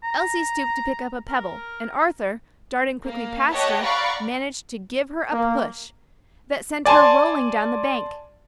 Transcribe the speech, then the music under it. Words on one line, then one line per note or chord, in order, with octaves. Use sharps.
Elsie stooped to pick up a pebble, and Arthur, darting quickly past her, managed to give her a push that sent her rolling down the bank.
A#5
A#4
A#3 F5
G4 C#5 D#5 F#5 A5
D5 F5 F#5 A#5 B5 C#6
A#3
D5 G#5 A5 C6